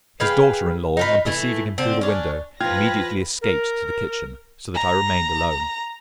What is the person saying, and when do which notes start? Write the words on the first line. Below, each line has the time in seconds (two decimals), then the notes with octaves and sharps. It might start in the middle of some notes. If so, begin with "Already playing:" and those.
His daughter-in-law, on perceiving him through the window, immediately escaped to the kitchen, so that I remained alone.
0.20 G#4 B4 F5 G5
0.97 D#4 F4 B4
1.26 E3 A3 E4
1.78 D3 C4
2.01 C#4 D4
2.60 F3 F4 B4 G5 F6 G#6 A#6
3.42 A#4
4.75 A#5